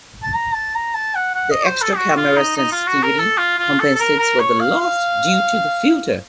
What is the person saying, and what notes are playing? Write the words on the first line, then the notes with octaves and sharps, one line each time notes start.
The extra camera sensitivity compensates for the loss due to the filter.
A5
A#5
A5
A#5
A5
F#5
F#5
D#5
C5
A4
F#4
F4
D#4
D#4
F4
F#4
A#4
A4
F4
F4
A4
A4
A#4
A#4
C#5
F5
F5